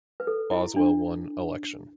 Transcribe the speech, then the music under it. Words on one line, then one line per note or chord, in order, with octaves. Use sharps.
Boswell won election.
B4
A4
E4
D4